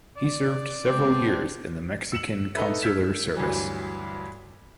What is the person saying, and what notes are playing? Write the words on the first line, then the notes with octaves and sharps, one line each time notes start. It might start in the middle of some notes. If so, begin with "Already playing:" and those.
He served several years in the Mexican consular service.
D5
C3 G#3 B3 C4 D4
E6 C#7 E7 F#7
D#4 A4 B4 E5
E6 F6 G6 G#6 B6 E7
D2 G2 E3 F#3